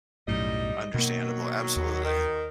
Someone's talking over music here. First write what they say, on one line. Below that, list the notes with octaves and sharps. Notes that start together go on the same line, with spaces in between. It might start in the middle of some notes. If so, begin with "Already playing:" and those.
Understandable, absolutely.
B1 F#2 A2 G3 D#4 D#5
B2 D#3 F#3 A#3
D#2
D#3